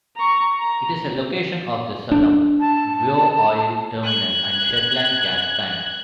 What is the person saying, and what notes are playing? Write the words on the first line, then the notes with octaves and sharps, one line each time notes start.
It is a location of the Sullom Voe oil terminal and Shetland Gas Plant.
A#5 C#6
A#5
D4
A5
F#6 G#6